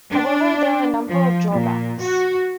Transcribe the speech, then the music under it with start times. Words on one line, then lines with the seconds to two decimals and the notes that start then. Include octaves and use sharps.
However, there are a number of drawbacks.
0.11 D4
1.09 F3
1.51 A#2
2.00 F#4